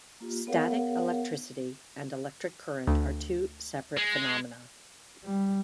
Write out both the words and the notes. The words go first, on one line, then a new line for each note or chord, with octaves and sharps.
Static electricity and electric current are two separate phenomena.
A#3 F4 G4
B3 G#4 A#4 C#5 F5 F#5
D2
G#3
G3